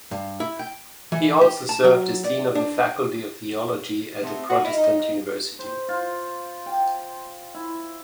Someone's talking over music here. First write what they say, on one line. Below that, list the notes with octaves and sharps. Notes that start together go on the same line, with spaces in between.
He also served as dean of the Faculty of Theology at the Protestant University.
G2
E4
G5
E3
G4
A5
F#3
D5
D4
A3 B3 C4
F#4 B4
E4 D#5 F5
D#4
C5
F4
G5
E4